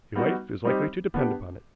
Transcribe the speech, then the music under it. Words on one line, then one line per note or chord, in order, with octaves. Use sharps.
Your life is likely to depend upon it.
G3 B3 D#4 F#4
G3 C4 D#4 G4
B3 D4 G4